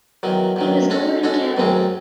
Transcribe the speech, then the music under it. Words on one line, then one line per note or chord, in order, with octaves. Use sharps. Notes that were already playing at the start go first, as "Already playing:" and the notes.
He was born in Cali.
E2 D#3 F#3
E2 D#3 F#3
G#3 C#4 F#4 A4
G#3 C#4 F#4 A4
F#2 D#3 G#3 C4